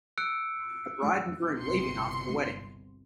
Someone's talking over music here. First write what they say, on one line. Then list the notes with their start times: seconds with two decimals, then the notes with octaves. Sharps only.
A bride and groom leaving after the wedding.
0.18 E6 F#6 C#7 D7
1.60 G1 C2 B2 C6 C#7